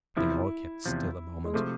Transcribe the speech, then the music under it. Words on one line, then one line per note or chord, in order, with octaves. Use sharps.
They all kept still a moment.
E2 C3 F3 E4
E2 C3 F3
G#3
C3 F3 A3